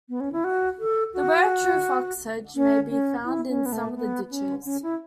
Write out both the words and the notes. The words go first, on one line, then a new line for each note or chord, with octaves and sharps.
The rare true fox sedge may be found in some of the ditches.
B3
C#4
E4
F#4
A4
F#4
C#4
C#4
E4
C#4
B3
A3
B3
C#4
C#4
E4